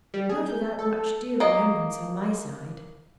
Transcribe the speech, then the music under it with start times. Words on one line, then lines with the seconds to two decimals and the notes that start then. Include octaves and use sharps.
Not without much dear remembrance on my side.
0.14 G3
0.29 G#4
0.46 G6
0.79 A4
1.40 A#3 D#5